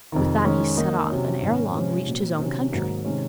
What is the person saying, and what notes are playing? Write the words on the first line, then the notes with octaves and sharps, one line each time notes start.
With that he set off, and ere long reached his own country.
F2 C3 D#3
D#3 G#3 C#4
D#3 A#3 D#4
C3 F#3 C#4
G#2 D#3 A#3 C#4
C3 F3 G#3 C#4
A#2 F#3 C4
C3 D#3 F#3 C#4
G#2 D#3 F#3 A#3 D#4
C3 D#3 G#3 C#4